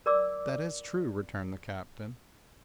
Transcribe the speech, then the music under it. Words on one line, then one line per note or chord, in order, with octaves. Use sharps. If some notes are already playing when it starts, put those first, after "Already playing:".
"That is true," returned the captain.
A#4 D5 D6 E6